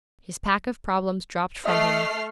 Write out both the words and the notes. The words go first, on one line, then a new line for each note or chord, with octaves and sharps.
His pack of problems dropped from him.
A3 D#5 E5 D#6 F6 C7